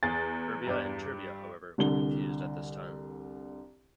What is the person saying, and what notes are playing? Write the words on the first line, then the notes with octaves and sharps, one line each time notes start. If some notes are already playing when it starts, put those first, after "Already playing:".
Erbia and terbia, however, were confused at this time.
E2 G#4 A6
G2 G3 D5
C2 D3 G7